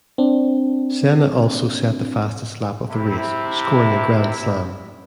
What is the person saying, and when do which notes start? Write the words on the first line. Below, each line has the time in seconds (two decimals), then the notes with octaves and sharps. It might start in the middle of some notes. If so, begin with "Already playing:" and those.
Senna also set the fastest lap of the race, scoring a Grand Slam.
0.18 C4 D4
2.90 C3 E4